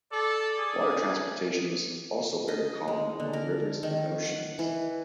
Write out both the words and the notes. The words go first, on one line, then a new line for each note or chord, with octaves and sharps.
Water transportation is also very common along rivers and oceans.
A4 D5
G#4
D#5
G#3
D3
A#4
D#3
F#5
E3